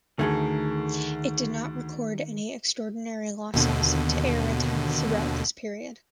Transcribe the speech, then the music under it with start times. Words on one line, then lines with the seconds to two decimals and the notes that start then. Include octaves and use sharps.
It did not record any extraordinary losses to air attack throughout this period.
0.19 D2 D#3 A3 G#4 A4
3.54 D#2 B2 D3